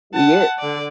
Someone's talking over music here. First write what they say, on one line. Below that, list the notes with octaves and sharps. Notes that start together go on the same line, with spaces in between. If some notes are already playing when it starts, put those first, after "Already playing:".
He is.
F#5 A5
D3 D5